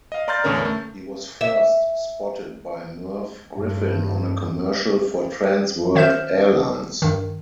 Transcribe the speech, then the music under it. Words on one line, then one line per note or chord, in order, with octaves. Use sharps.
He was first spotted by Merv Griffin on a commercial for Trans World Airlines.
D#5 F5
D5 A#5 C6 F6 G6 A6
E2 A2 D3 C#4 A#4
A3
E5
G2
D#3 C5 E5 F6 G6 E7
G2 D#3